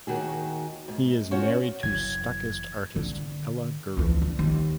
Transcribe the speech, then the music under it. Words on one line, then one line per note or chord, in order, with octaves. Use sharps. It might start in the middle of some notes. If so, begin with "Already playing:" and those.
He is married to Stuckist artist Ella Guru.
D#2 D#3 F#4 G#4
G#2
C#4 F4 F#4 C5 C#5
F#1 E3 G#6
D3
D2 E3
D3
D#2